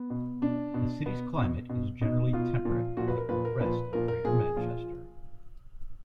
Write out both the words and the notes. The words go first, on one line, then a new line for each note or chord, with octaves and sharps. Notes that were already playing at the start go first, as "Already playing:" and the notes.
The city's climate is generally temperate, like the rest of Greater Manchester.
Already playing: B3
B2
B2 D4
B2
B2 B3
B2
B2
B2 D#4
B2 F4
A#2 F3
A#2 F3 F#4
B4
A#4
A#2 F3 B4
A#4
A#2 F3 B4
A#2 F3 A#4
A#4
A#2 F3 G#4
A#2 F3 F4